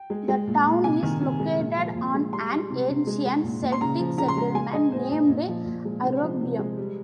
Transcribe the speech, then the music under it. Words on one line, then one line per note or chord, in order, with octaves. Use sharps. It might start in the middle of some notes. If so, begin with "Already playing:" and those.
The town is located on an ancient Celtic settlement, named "Arrubium".
Already playing: G5
G#3
G#3
A#2
A#2
C3 G#5
D#3
C3
G#3
A#2
F3
A#2
G#3
G3 C6
G3
C3
C3
G#3
G#3
A#2
A#2
C6
C#3 A#5
F3
C#3 A#5
C6
G#3 A#5
G#3 G#5
G#3 D#5
A#2 C5
A#2
A#2
F3
A#2
G#3
C3 C5
F3
C3
G#3
G3